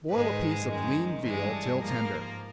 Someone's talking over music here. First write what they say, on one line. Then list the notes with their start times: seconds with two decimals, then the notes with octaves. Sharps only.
Boil a piece of lean veal till tender.
0.09 G#2 D#3 G#3 B4
0.65 F#2 D#3 G#3
1.22 G2 E3 G#3
1.50 A4
1.79 G#2 F3 A#3 A#4